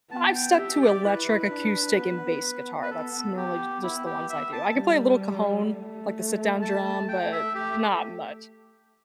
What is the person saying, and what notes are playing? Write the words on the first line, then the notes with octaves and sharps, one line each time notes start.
I've stuck to electric, acoustic, and bass guitar. That's normally j just the ones I do. I can play a little cajon, like the sit-down drum, but not much.
B3 A5
G5
G4 E5
D5
E4 B4
D4
B3
B3
B4
A4
G4
E4
G4
E5
A5
G3
A3
A5
A5
G5
E5
A3 G4